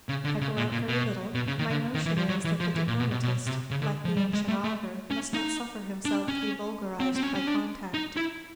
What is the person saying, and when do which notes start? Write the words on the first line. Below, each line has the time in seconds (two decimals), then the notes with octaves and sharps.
I go out very little; my notion is, that the Diplomatist, like the ancient Augur, must not suffer himself to be vulgarized by contact.
0.09 C#3
0.25 D3
0.41 C#3
0.57 A#2
0.72 A#2
0.88 B2
1.34 B2
1.47 C#3
1.59 D#3
1.70 D3
1.94 D#3
2.05 E3
2.17 F3
2.29 F#3
2.44 E3
2.60 F3
2.75 E3
2.88 A#2
3.00 B2
3.11 B2
3.23 B2
3.46 C3
3.71 C#3
3.82 D3
4.05 F3
4.16 G3
4.33 G#3
4.48 A3
4.64 A3
5.11 C#4
5.34 D#4
6.05 D4
6.28 C#4
7.00 C4
7.16 C4
7.23 C#4
7.35 C#4
7.47 D4
7.94 D#4
8.17 E4